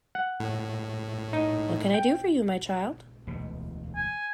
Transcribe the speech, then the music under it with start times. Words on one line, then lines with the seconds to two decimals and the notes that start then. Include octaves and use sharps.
What can I do for you, my child?
0.15 F#5
0.40 A2
1.33 D#4
1.94 G5
3.27 E1 D2 B2
3.96 G#5